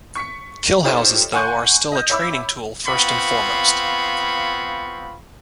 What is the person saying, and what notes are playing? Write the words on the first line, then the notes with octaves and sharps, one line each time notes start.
Kill houses though are still a training tool first and foremost.
C#6 B6 C#7
D#4 F4 G4 A4 C5 C#5
F#5 G#5 C6 C#6 F#6 G6
D#5 G6
C#5 E5 B5 D6 E6
B3 C4 F4 F5 B5 C#6